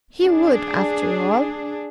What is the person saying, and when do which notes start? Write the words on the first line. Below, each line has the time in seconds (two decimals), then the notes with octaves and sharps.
He WOULD after all.
0.22 D4 G#4